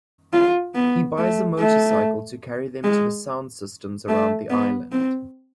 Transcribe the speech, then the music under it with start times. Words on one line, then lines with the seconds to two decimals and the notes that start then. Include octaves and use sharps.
He buys a motorcycle to carry them to the sound systems around the island.
0.33 F4
0.75 B3
1.18 A3
1.59 A3
2.84 G#3
4.08 A3
4.50 B3
4.92 C4